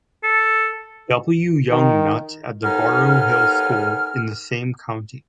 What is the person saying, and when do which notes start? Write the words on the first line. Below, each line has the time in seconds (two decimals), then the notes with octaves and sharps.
W. Young Nutt at the Burrough Hill school in the same county.
0.23 A4
1.70 D#3
2.63 D#2 B3 D#4 A4 G#5 F6